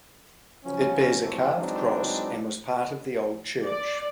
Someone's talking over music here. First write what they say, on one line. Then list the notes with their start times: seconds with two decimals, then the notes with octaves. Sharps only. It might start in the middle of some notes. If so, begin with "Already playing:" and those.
It bears a carved cross and was part of the old church.
0.64 C#3 F3 F#3 C#4
1.22 F2 A2 C3 E3 F#3 A3
1.58 E3 F#3 G#3 C4 D4 D#4
3.65 D5